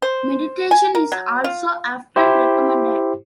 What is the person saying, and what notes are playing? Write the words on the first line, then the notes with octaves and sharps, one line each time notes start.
Meditation is also often recommended.
C5
G#5
A#4
F#3
F4
E4 G4 C5